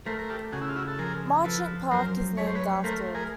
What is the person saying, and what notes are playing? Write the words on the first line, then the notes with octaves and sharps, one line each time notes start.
"Marchant Park" is named after him.
A3 A#4 C5
A#4
G4 A4
C#3 F#4 G#4
E4
F4
E4 F#4
A4
F3 G#4 A#4
F3 A4 B4
F#2 A#4 C5
A3 C#5
C5
B4 C#5
A3 A#4 C5
G#4 A#4